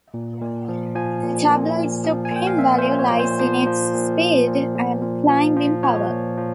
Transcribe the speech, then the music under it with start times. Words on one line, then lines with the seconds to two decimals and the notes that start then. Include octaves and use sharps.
The tabloid’s supreme value lies in its speed and climbing power.
0.14 A#2
0.41 A#2
0.68 F3
0.95 F3 G#5
1.23 A#2
1.50 A#2
1.77 A#2
2.04 F3
2.25 G#5
2.31 A#2 G5
2.47 F5
2.58 A#2 E5
2.78 C5
2.85 A#2
2.99 C#5
3.12 A#2
3.19 C5
3.39 F3 C5
3.67 F3
3.94 A#2
4.21 F3
4.48 A#2
4.75 A#2
5.02 A#2
5.29 F3
5.56 F3
5.83 F3 C#5
6.10 A#2
6.38 F3